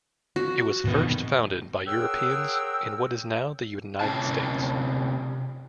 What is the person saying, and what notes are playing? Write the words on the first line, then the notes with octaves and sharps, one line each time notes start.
It was the first founded by Europeans in what is now the United States.
F#4
B2 D#3
G#4 A#4 C#5 F#5 G5 E6
C3 C#4 E4 G#4 C#5 A5